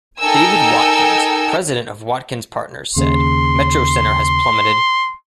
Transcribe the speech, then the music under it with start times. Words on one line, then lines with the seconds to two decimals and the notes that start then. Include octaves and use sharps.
David Watkins, president of Watkins Partners, said, Metrocenter has plummeted.
0.19 D#4 A4 A#4 G5 G#5 E6
2.97 D#2 C#3 C6